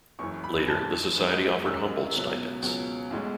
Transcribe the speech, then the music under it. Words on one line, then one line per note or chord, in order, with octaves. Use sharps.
Later, the society offered Humboldt stipends.
F#1 F#2 E3 C#6
B5
F#1 F#2 E3 A5
F#2 D#3 G#3
F#2 D#3 G#3 E6
C#2 B2 F#3
C#2 B2 F#3
B1 A2 G#3